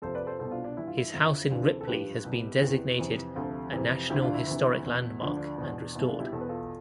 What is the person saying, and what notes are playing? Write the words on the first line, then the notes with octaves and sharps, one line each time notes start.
His house in Ripley has been designated a National Historic Landmark and restored.
F2 C3 F3 A4 C5
B4 D5
A4 C5
C2 B2 A4 C5
D4 F4
D4
G2 E3 E4
F4
E4
F2 D3 F3
D2 C3 E3 D4 F4
A4 C5
A4
G2 F3 G4 B4
C2 B2
E2 C3 E3
F2 C3 E3
D2 C3 F3 F4 A4
F2 C3 E3
D2 D3 F3 E4 G4
D4 F4
E4
D2 C3 E3
E2 B2
D2 D3 F3 D4
D4
E2 B2
C2 B2 E4
D4 F4
E4 G4
E2 B2 A4
B4
F4 A4